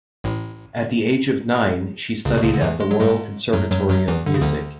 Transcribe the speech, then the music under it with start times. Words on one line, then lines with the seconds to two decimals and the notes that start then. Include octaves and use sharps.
At the age of nine, she studied at the Royal Conservatory of Music.
0.24 A1 A2
2.25 C#2 C#3
2.37 B2
2.44 C#2 C#3
2.54 D3
2.61 E2 E3
2.80 G#3
2.91 F#3
3.01 G#2 G#3
3.53 F#2 F#3
3.72 F#2 F#3
3.90 F#2 F#3
4.08 E2 E3
4.26 D3
4.34 C#3
4.41 D2 D3